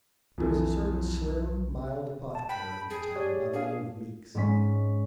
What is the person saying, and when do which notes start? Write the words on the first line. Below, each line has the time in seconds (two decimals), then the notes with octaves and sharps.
There was a certain slim, mild apothecary in the town, by the name of Meeks.
0.38 B1 F2 E3 A4
2.35 A5
2.49 G5 A5 B5
2.90 G#4
3.15 G4 C#5 D5
3.53 D4 G#4 F5
4.35 G#2 G#3 C#4 B6